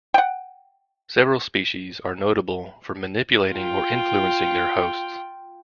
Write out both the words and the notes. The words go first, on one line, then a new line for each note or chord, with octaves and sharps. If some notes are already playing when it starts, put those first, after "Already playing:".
Several species are notable for manipulating or influencing their hosts.
F#5 G5
F4 G5